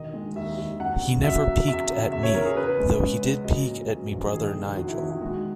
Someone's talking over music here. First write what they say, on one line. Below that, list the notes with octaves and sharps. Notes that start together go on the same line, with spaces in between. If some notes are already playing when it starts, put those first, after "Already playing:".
He never peeked at me, though he did peek at me brother Nigel.
Already playing: E1 D#3 D#5
G#3
D#2 E5
D#2
F#2 F#5
C#3
F#3 E5
F#3
E2 E5
C#3
E2 E5
C#5
E2 A#4
G#4
C#3 B4
G#3
C#3
C#3
F#3 D#5
A#2
F#3
A#1
D#3 G#4
E1
E2 F#4
E4
D#3 F#4
F#4
G#3 F#4